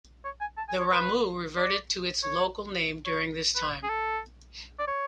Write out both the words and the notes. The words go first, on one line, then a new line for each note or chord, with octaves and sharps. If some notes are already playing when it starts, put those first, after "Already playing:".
The Ramu reverted to its local name during this time.
C#5
G#5
A5
G#5
C#5
B4
D5
C#5
C#5
B4
G#4
A4
D5
C#5